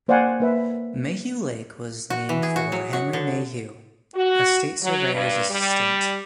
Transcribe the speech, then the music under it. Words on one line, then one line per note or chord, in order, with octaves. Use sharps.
Mayhew Lake was named for Henry Mayhew, a state surveyor's assistant.
A#3 C5 D5 F5 F#5 G#5
A#3 B4 E5
F#4
E3
G#4
F#4
F#3
F#4
D3
F#4
F#3
G2
G3